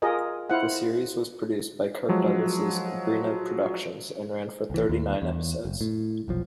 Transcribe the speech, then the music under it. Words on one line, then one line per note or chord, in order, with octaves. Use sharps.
The series was produced by Kirk Douglas' Bryna Productions and ran for thirty-nine episodes.
F4 G4 G#4 A#4 D#5
E4 C5 F5 F#5
F3 F#3 G#3
C2 E3
D#2
E2
F#1
A2
F1 B1 F3